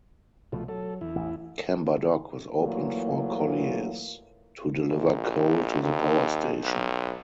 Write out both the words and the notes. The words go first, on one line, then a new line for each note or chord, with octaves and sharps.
Camber Dock was opened for colliers to deliver coal to the power station.
C2 B2 F3 A3
F#3 A4
E2 E4
A1
A#2 E3 F#3 A3 A#3
A#1
D#2
B1